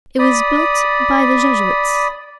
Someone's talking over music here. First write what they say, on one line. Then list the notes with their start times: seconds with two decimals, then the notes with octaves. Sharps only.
It was built by the Jesuits.
0.19 D5 B5 D#6